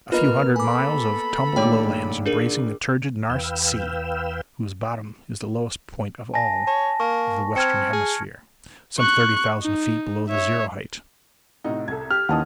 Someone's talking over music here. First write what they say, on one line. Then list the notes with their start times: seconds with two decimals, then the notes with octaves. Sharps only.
A few hundred miles of tumbled Lowlands, embracing the turgid Nares Sea, whose bottom is the lowest point of all the Western Hemisphere--some thirty thousand feet below the zero-height.
0.12 A#3 B3 F4 B4 D#5 F6
0.56 A4 G#5 B5 D6
1.56 A#1 D#3 A3 C#5 G5 D6
2.26 D4 G#4 A#4
3.30 E2 B4 F5 G5 E6
6.34 G#5 A5 A#6
6.67 C#5 A5
7.00 A#3 C#6
7.56 C4 F6 G#6 C#7
7.93 G#4
8.99 C#6 F#6
9.62 D#4
10.29 C#5 E5
11.64 A2 C3 D#4 F#4
11.88 C2 A4 G#6
12.11 G4 F6
12.29 D#2 E3 C#4 D#4 F#5 A5 D#6